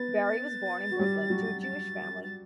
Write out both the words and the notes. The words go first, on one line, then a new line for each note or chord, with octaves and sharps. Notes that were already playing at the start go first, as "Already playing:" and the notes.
Barry was born in Brooklyn to a Jewish family.
Already playing: B3 B4 A6
F#4
G3 G4
F#3 F#4
A6
A6